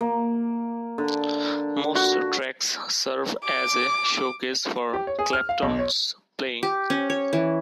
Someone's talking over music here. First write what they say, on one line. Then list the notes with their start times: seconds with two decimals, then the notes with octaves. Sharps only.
Most tracks serve as a showcase for Clapton's playing.
0.01 A#3
0.98 D3
1.95 F#4
3.44 D6
4.93 G4
5.07 C#5
5.19 G#4
5.33 F6
5.49 F5
5.62 B1
5.79 C#5
6.63 G4
6.90 C#4
7.10 C#5
7.33 E3